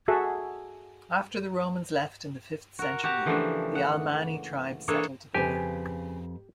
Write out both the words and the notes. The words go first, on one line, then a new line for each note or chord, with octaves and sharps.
After the Romans left in the fifth century, the Alamanni tribe settled there.
F#4 G#4 A4 E5 F#5
F#4 A#4
F#4 G4 A5 A#5
C#3 E3 F3 A3 A#3 D4
F#5
E3 A#3 D4 G#4 A4 C#5
F2 C#3 G4 B4 G#5